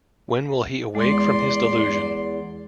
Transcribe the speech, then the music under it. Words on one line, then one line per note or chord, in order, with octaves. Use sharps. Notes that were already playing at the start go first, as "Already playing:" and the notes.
When will he awake from his delusion!
E2 G#3 D5 C6